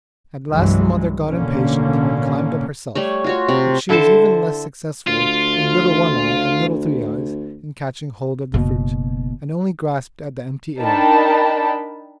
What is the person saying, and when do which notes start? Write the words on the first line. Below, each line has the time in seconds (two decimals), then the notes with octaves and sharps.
At last the mother got impatient and climbed up herself, but she was even less successful than Little One-eye and Little Three-eyes in catching hold of the fruit, and only grasped at the empty air.
0.51 C2 G2 E3 F#3 G#3
1.28 A1 B2 D3 A#3 C#4
2.95 G3 A3 C#5
3.24 F4 F#4 C#5
3.48 C3
3.89 D3 E4 A4 C5 A5
5.08 D2 F4
8.54 F#1 B2
10.79 D4 D#4 A#4 G5 A5 B5